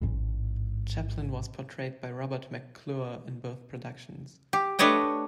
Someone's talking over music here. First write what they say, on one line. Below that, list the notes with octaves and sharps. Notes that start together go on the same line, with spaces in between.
Chaplin was portrayed by Robert McClure in both productions.
A1 G#2
G4
A3 D4 B4 C#5 D#5 G5